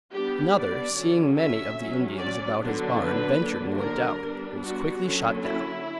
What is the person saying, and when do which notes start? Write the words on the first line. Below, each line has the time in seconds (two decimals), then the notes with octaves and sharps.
Another, seeing many of the Indians about his barn, ventured and went out, but was quickly shot down.
0.13 G3 B3 D4 G4
0.55 D5
0.95 D3 F#3 C#4
1.36 E5
1.77 F#3 C#4
2.18 D5
2.59 D3 F#3 B3 D4
2.99 B4
3.40 D3 F#3 A#3 D4
3.80 A#4
4.22 G3 B3 D4
4.62 F#4
5.04 D3 F#3 A#3 C#4
5.43 E4